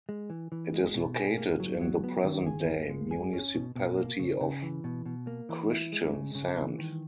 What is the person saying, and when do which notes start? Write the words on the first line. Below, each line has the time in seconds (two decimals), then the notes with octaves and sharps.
It is located in the present-day municipality of Kristiansand.
0.09 G#3
0.30 E3
0.52 E3
0.74 G#3
0.95 B2
1.16 G#4
1.38 A#3
1.60 F#3
1.81 F#3
2.04 B3
2.24 D#3
2.46 G#4
2.68 A#3
2.90 G#3
3.11 G#4
3.33 C#4
3.54 B2
3.76 B2
3.97 A#3
4.19 C#3
4.41 C#3
4.63 E3
4.84 B2
5.06 B2
5.27 A#3
5.49 E3
5.71 E4
5.92 G#3
6.13 C#3
6.35 C#3
6.57 E3
6.79 D#3